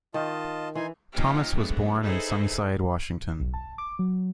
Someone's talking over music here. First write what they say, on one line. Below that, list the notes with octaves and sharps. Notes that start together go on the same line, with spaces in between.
Thomas was born in Sunnyside, Washington.
D#3 F4 D#5 A5
E3 D#4 G#5 C6
F3 A#3 C#4 D#4 F4 G4
F#3 G#3 A3 B3 D4
D#4 E4 G#4 A4 B4 C5
B1
A5
D6
F#3